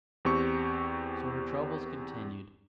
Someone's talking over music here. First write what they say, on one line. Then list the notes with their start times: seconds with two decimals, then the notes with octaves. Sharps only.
So her troubles continued.
0.25 E2 C4 G4 C#6